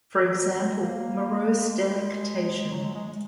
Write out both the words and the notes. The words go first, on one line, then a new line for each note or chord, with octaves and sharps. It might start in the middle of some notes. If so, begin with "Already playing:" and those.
For example, morose delectation.
F3
F#3
F#3
G#3
G#3
A#3
G#3
F#3
G#3
G#3
G#3